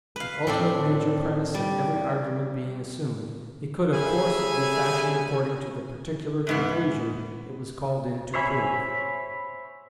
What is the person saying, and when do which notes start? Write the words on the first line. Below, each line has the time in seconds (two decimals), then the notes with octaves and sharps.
The ultimate major premise in every argument being assumed, it could of course be fashioned according to the particular conclusion it was called in to prove.
0.16 B4 F5
0.47 A2 C4 D4
1.54 G3
3.93 G3 A3 C#4 G#4 E5 G#5
6.47 E2 G#2 B3
8.34 C5 C#5 E5 G#5 B5